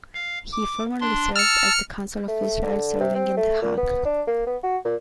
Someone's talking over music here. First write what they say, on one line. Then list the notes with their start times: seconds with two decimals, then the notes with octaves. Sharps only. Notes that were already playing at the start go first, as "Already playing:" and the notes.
He formerly served as the consul of Israel serving in The Hague.
0.14 F5
0.52 D6
1.01 D4 C6
1.36 A5 E6 F6 A6 C#7
2.28 A3
2.62 D3
3.00 C3
3.15 C4
3.37 A3
3.62 A#2
3.77 B3
4.05 D4
4.27 A#3
4.47 B3
4.63 F#4
4.85 A#2